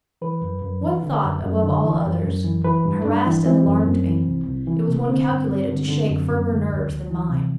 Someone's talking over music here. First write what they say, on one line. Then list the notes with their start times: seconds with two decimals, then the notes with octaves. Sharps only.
One thought, above all others, harassed and alarmed me; it was one calculated to shake firmer nerves than mine.
0.22 E3 B4
0.41 F#2
0.62 F#2
0.82 E3
1.03 D3
1.23 F#2
1.43 F#2
1.64 D3
1.84 E3
2.04 F#2
2.25 F#2
2.45 E3
2.64 E3 B4
2.85 G2
3.05 G2 D4
3.26 E3
3.46 E3 C4
3.65 F#2
3.86 F#2
4.06 E3
4.27 C2
4.46 C2
4.67 E3
4.87 C3
5.07 D3 C4
5.28 G2
5.48 G2
5.68 D3
5.88 D3
6.08 F#2
6.29 F#2
6.49 D3
6.69 D2
6.90 D2
7.10 E3
7.30 C3